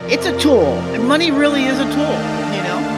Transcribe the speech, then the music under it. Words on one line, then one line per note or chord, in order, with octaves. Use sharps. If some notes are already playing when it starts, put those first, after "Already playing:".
it's a tool, money really is a tool, you know?
Already playing: F2 C3 F3 A#4 D5
D#2 D#3 A3 D4 D#5 G5
D5 F5
F5 A5
G5 A#5
D#2 D3 A3 D4 F5 A5